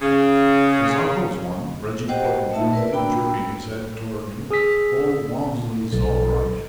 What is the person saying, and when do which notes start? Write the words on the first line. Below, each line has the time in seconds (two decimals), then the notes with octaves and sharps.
"His uncle's one," Reggie put in gloomily, jerking his head toward me. "Old Walmsley's all right."
0.01 C#3
2.08 F#4 G4 C5 D#5 F#5 G5
2.51 A3 D#4 E5 A5 E6
2.73 A#4 B4 D5
2.93 A#3 D4 F#4 G5 B5 E6
4.51 G#4 D#6 E6 B6
5.93 B1 A4